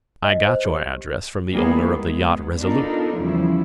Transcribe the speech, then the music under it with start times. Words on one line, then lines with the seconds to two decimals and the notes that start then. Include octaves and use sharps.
I got your address from the owner of the yacht Resolute.
0.25 D#5
0.47 C5
0.65 G4
1.52 G3 A#3 B3 D#4 E4 G#4
1.88 G#3 B3
2.58 B3 D4 D#4 F4 A4 A#4
3.15 E2 C#3 F3 G3 E4